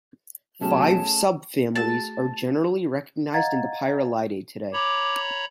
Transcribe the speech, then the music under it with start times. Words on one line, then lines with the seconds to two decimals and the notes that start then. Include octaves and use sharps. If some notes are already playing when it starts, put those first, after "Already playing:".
Five subfamilies are generally recognized in the Pyralidae today.
0.61 B2 F#3 A3 C#4 G#4 A5
1.76 A3 F#4 G#4 A5
3.34 D#5 F5 F#5 A#5 G#6 A6
4.73 C#5 A#5 B5 D6